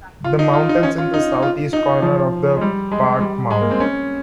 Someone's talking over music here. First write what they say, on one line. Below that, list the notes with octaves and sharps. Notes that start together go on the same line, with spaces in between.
The mountains in the southeast corner of the park-Mt.
F4
D#4
F4
D#4
C#4
F4
D#4
F4
D#4
F3
G#3
G3
G#3
G3
G#3
A#3
C4
C#4